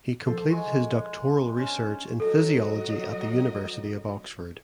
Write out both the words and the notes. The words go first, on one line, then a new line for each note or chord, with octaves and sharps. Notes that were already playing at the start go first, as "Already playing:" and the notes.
He completed his doctoral research in physiology at the University of Oxford.
F3 A4 C5
G#3 C#6
C#4 D4 C5 G6
F#3 A4 D#5